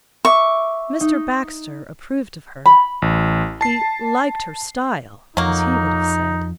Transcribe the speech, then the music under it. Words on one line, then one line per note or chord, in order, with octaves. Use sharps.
Mr. Baxter approved of her; he "liked her style," as he would have said.
E5 C#6 D6
D#4
B5
A1
A5 C7
F2 F#3 A#3 D#4